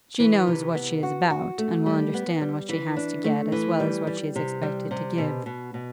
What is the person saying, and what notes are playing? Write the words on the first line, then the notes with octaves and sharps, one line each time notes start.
She knows what she is about, and will understand what she has to get as well as what she is expected to give.
E3
C3
B3
F#4
F#4
A3
G3
B3
G3
E3
D4
A3
E3
G3
G3
C3
G3
C3
B2
B2
B2